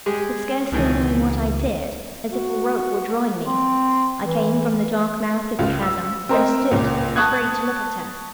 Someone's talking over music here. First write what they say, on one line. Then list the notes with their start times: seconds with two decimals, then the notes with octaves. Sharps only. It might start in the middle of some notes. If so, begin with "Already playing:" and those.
But scarcely knowing what I did, as if a rope were drawing me, I came from the dark mouth of the chasm; and stood, afraid to look at her.
0.06 G#3 G4 G#4
0.72 C#2 B2 D#3 E3
2.31 F#4
3.45 C4
4.24 E3
5.59 C#2 F4
5.82 E6
6.29 C4 A#4 C5 D#5
6.71 C#2 A#2
7.16 A5 C#6 D#6 F#6 G#6